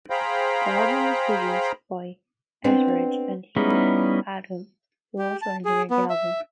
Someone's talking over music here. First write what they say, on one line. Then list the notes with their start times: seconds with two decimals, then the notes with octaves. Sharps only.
The album was produced by Etheridge and Hugh Padgham, who also engineered the album.
0.10 G#4 C5 F5 G5 A#5 B5
2.64 B3 C4 D4
3.57 G3 B3 C#4 D#4 E4
5.19 G4
5.42 A5
5.65 G#4
5.91 B3
6.10 E5